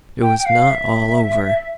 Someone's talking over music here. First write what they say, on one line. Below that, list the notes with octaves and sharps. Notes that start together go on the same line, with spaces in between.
It was not all over.
G5
G5
F5
E5